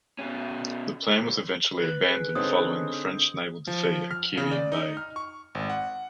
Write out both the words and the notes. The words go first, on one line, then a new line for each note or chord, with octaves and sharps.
The plan was eventually abandoned following the French naval defeat at Quiberon Bay.
B2 C#4
B4
G#4
D3 C4 D#4 G#4 C5 C#5 D#6
F3
F6
C#3
D5
D#4
F6
C#6
G#1
F#5